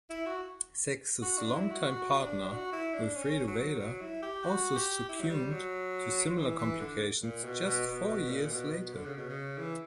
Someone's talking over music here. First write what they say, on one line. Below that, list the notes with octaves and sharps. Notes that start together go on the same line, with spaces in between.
Sex's longtime partner, Wilfredo Vela, also succumbed to similar complications just four years later.
E4
F#4
F#4
D4
E4
F#4
F#4
D4
F#4
E4
D4
C#4
C#4
F#3
F#3
F#3
E4
G4
F#4
G4
E4
F#3
G3
F#3
E3
E3
D3
A#2
B2
B2
B2
B2
A#2
B2
B2
D3
C#3
B2
C#3
E3